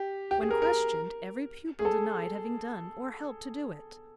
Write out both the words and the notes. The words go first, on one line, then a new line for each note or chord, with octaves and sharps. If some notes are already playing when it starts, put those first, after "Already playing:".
When questioned every pupil denied having done or helped to do it.
Already playing: G4
G4
G#4
A#4
A#4
G#4
A4